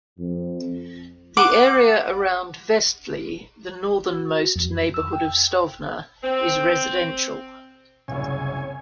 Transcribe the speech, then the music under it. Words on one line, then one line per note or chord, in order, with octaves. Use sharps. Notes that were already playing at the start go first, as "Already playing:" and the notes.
The area around Vestli, the northernmost neighborhood of Stovner, is residential.
F2
F#5 D6
F#4
F2
E6
G5
C4
F#1 C2 C#5 G#5